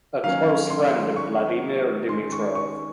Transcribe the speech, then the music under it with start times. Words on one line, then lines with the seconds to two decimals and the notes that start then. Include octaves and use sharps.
A close friend of Vladimir Dimitrov.
0.24 D#3 F#3 A#3 C#4 F5
0.70 C6
1.16 C#6
2.09 D#3 G#3 C#4 C6
2.32 C#6
2.55 C#6